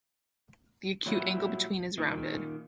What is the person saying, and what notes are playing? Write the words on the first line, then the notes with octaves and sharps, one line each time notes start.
The acute angle between is rounded.
A#2 F#3 G3 E4
A#2 D#3